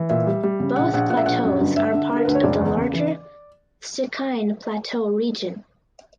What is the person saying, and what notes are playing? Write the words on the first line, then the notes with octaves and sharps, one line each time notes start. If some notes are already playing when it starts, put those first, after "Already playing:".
Both plateaus are part of the larger Stikine Plateau region.
Already playing: E3
A#2 E5
G3
G3
C#3
A#1 F#5
A#1 F#5
A#2 F#5
E5
A#1 F#5
F#2
G1
D3 E5
D3
D3
A#4
D2 B4
C#5
F#1 D5
E2
C#3
E3